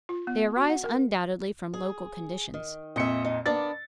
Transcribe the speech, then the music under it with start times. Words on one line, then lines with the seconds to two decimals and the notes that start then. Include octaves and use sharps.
They arise undoubtedly from local conditions.
0.09 F4
0.27 B3
0.56 F#4
0.70 F#5
0.84 A#4
1.74 G#4
2.54 D#3
2.96 F2 A#2 D#5 E5 C#7
3.25 D#4
3.46 A#3 B3 D4 A6